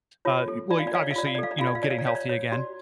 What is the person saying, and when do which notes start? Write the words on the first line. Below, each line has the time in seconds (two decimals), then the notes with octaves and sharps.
uh, y well, obviously, you know, getting healthy again.
0.25 F4 C#5
0.48 A4
0.70 F4 D5
0.79 F5
0.87 D5
0.93 C#5 F5
1.03 D5
1.11 F5
1.16 F4 D5
1.27 F5
1.35 D5
1.39 A4 F5
1.51 D5
1.59 F4 F5
1.67 D5
1.75 F5
1.83 C#5 D5
1.90 F5
1.99 D5
2.06 C#5 F5
2.15 D5
2.29 C#5
2.52 F#4 D5